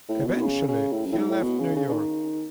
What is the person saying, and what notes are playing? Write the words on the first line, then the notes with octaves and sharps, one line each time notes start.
Eventually, he left New York.
A2
B2
C#3
C#3
A2
F#2
A2
G#2
A2
B2
C#3
C#3
C#3
D#3